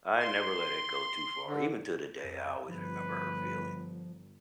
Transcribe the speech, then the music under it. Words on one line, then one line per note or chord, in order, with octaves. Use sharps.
I never let it go too far, even to the day, I always remember her feelings,
C6
D3
F2
G1 F3 B4